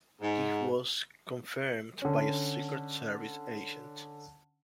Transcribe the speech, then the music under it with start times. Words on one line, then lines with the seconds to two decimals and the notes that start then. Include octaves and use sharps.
This was confirmed by a Secret Service agent.
0.21 G#2
2.02 D3 C#4